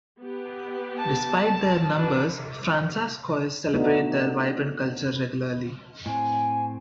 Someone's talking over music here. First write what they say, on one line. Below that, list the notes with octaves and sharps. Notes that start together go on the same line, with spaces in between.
Despite their numbers, Fransaskois celebrate their vibrant culture regularly.
B3 G4
A5
D4 F#4 B4
A3 B3 D4 D#4 F#4
A2 C4 G#5